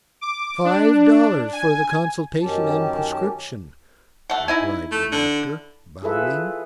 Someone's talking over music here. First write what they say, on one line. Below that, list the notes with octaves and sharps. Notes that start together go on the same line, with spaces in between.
"Five dollars for the consultation and prescription," replied the doctor, bowing.
D6
D4
G#5
F#2 D#3 C#4 G4 A5
A3 F#5
D#4 E4 G#5
A3
D3
E4 F4 G#4 A4 B4 E5